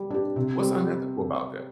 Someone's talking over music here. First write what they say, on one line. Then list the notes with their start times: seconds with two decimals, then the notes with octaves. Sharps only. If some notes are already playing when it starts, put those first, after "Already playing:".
What's unethical about that?"
Already playing: G3
0.10 D4 G4
0.36 C3
0.62 G3 C4